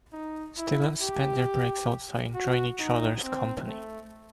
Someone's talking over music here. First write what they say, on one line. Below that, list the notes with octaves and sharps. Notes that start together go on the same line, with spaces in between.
Student spend their breaks outside enjoying each others company.
D#4
E4
G4
F#4
D#4
C4
A3